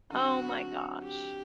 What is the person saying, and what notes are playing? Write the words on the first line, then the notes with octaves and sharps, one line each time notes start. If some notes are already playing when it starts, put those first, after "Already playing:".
Oh my gosh.
D3 F#3 C4 F#4
G4